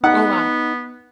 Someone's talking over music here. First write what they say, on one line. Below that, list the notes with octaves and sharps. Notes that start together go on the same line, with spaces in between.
Oh, wow.
B3 D#4 F#5